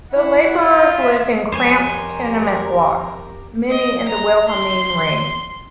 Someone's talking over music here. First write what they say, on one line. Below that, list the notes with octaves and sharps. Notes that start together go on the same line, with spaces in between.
The labourers lived in cramped tenement blocks, many in the Wilhelmine Ring.
E4 F#5
F4
E5
F2 G4 A#4 C5 C#5 G#5
D#5
A#5
C6